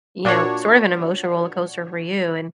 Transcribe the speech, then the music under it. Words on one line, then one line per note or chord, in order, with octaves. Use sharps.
you know, sort of an emotional roller coaster for you, and
A#2 D4 F#4 C#5